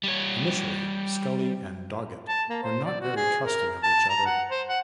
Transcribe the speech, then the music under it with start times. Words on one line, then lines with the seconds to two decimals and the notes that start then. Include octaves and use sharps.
Initially, Scully and Doggett were not very trusting of each other.
0.04 G3 C#5
2.28 A5
2.50 A#3
2.63 C5
2.85 D5
3.00 F#4
3.16 G#4
3.44 A#4
3.83 A5
4.10 A#5
4.26 F#5
4.50 C5
4.69 F#5